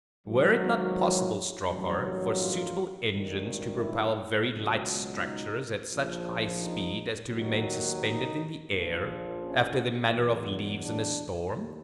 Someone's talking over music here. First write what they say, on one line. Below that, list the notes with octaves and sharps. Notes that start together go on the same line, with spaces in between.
Were it not possible, Strokor, for suitable engines to propel very light structures at such high speed as to remain suspended in the air, after the manner of leaves in a storm?
G#1 G#2 D#3 F#3
D4
E4
A1 G2 D#3 F#3
F4
G#1 G2 D#3
E4
C#2 B2 F#3
D#4
A#1 A#2 F3
D#4
D#2 D#3 F#3
D#4
A#1 A#2 F3
C#4
E2 B2 F#3
D4
D#2